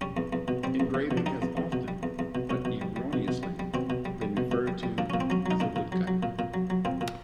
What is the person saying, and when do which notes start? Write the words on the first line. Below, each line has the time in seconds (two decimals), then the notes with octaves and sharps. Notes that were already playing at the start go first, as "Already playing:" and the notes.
The engraving has often, but erroneously, been referred to as a woodcut.
0.01 G3 C#4
0.17 E2
0.33 E2
0.48 B2
0.64 G3 C4
0.80 E2
0.94 E2
1.11 B2
1.17 D4
1.26 G3 D#4
1.42 E2
1.57 E2
1.72 B2
1.88 G3
2.03 E2
2.19 E2
2.35 B2
2.50 B2 C#4
2.65 B2
2.81 G3
2.96 G3
3.13 B2
3.28 B2
3.43 G3
3.59 G3
3.74 B2 C4
3.90 B2
4.05 G3
4.22 G3
4.37 B2
4.51 B2
4.67 G3
4.83 G3
4.98 A#2 D4
5.10 A#2 C#4
5.20 C4
5.30 F#3 C#4
5.46 F#3 D#4
5.60 A#2 D4
5.76 A#2
5.92 F#3
6.07 F#3
6.23 A#2
6.39 A#2
6.54 F#3
6.70 F#3
6.85 A#2 C4
7.01 A#2